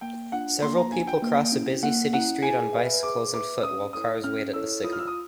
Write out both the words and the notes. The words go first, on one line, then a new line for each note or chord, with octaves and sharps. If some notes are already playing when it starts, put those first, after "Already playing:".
Several people cross a busy city street on bicycles and foot while cars wait at the signal.
A#3 G5
D4 F4 F#5
A#3 C6
A#5
D4 F4 G#5
G5
A#3
C#4 E4
A#3 F#5
C#4 E4 F#5
G#4 G#5
B4 E5
G#4 D6
B4 E5 D6
C#4 D#6
E4 A4 C#5 D#6
C#4 F6
E4 A4 C#5 E6
F4 D#6
F6
E6
D#6